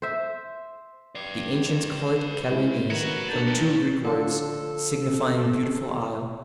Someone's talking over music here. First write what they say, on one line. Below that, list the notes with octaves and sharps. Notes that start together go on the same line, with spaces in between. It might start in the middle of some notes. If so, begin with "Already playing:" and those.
The ancients called it Kalonese, from two Greek words, signifying beautiful isle.
C5 E5
B4 D5 C7
G#3 E4
D#3 B3 F#4 C#5 A#6 E7
A3 A#3 D4 G6 A6
C3 F3
D3 F3 D4 A4